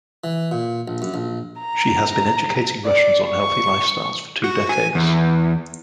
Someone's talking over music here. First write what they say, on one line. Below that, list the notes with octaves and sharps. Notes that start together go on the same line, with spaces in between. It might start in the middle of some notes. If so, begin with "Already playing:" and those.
She has been educating Russians on healthy lifestyles for two decades.
E3
A#2
A#1
F#2
A#1
A#5
D5
C#6
F#4
G#5
E2